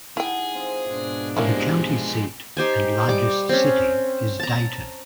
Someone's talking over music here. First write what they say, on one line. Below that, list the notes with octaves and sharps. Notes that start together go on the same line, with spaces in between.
The county seat and largest city is Dayton.
D#3 E4 G#4 F#5 G5 A5
G#3 C4 F4
G#2 B2 D4
F3 G3 G#3 A#3 C4 C#4 E4
D#4 G4 C5 G#5
G3 D6
C4 C#4
A5 A#5